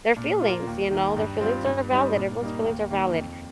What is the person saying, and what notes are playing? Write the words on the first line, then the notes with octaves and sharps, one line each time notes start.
their feelings, you know? Their feelings are valid, everyone's feelings are valid.
A#2
A#3 F4
D#2
D#3 A#3
G2
G3 C4 F4
G2
G3 C4 D#4
A#2
G3 A#3 D#4
D#2
D#3 A#3
F2